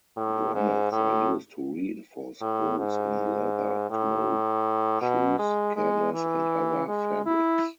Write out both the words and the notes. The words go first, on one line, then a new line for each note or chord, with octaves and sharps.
Grommets are used to reinforce holes in leather, cloth, shoes, canvas and other fabrics.
A2
G#2
A2
A2
G#2
A2
B2
G#3
G#3
E3
G#3
E4